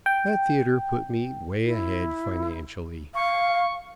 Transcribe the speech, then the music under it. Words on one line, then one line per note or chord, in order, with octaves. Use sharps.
That theatre put me way ahead financially.
G5
E4
F5 C#6